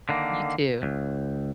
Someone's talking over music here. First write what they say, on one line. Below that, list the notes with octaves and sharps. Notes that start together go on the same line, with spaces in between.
You too.
D3 D#3 A#3
C#2